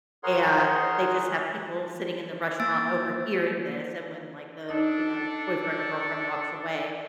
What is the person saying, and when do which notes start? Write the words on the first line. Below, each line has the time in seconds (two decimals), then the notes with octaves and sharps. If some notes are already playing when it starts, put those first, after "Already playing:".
And they just have people sitting in the restaurant overhearing this, and when, like, the, you know, boyfriend or girlfriend walks away,
0.23 G#4 A#4 C#5 F#5 C6
2.60 A#3 E6 A6 D7
4.69 D4 D#4 A4 D#5